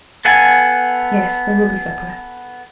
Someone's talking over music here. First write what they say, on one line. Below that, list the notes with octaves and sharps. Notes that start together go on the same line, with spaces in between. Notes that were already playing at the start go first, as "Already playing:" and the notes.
"Yes, there will be supper."
B3 A4 F5 F#5 G#5